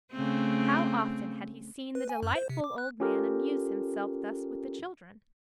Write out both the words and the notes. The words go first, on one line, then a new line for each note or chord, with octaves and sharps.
How often had he seen the delightful old man amuse himself thus with the children!
C#3 A3 C4
B4
G#5
F#2
C5
C3
D6
F#6
C#4 F4 G4 A4 A#4